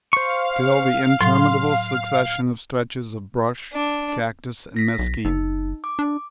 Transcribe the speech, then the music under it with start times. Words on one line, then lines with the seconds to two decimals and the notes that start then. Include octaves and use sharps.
Still the interminable succession of stretches of brush, cactus, and mesquite.
0.13 C5 F5 C#6
1.21 A2 F#3 C6
3.73 D4
4.76 A#6 B6
4.99 B1
5.25 F#1 D#4
5.84 D6
5.99 D4